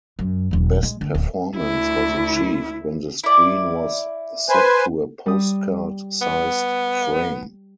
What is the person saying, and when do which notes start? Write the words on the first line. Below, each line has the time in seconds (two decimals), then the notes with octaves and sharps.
Best performance was achieved when the screen was set to a postcard-sized frame.
0.19 F#2
0.51 D#1 F#3
0.83 G#3
1.01 D3 A3
1.15 D1
1.56 D2 E4
3.24 E4 D5
4.49 B4 C5 G#5
5.26 G3 D#6
6.22 B3